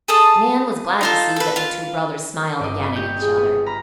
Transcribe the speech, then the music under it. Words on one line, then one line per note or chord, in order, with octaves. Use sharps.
Nan was glad to see that the two brothers smiled again at each other.
G#4 A4 A5 D#6
D#4 F4 A4
A4 B4
F4 F5
G1 D5 D#5
B5 D#6 D#7
G4 C#6 G6
G#4
B3
A#5 B5 F6